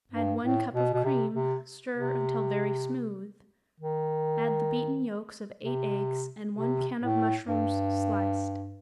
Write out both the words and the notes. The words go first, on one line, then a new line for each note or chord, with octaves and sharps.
Add one cup of cream, stir until very smooth, add the beaten yolks of eight eggs and one can of mushrooms sliced.
G2
A2
B2
B2
C3
C3
C3
D#3
C3
C3
A2
G2